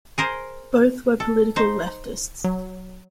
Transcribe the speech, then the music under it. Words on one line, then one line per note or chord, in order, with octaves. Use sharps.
Both were political leftists.
G#4 A#4 C5
A4
D#4 C5
F#3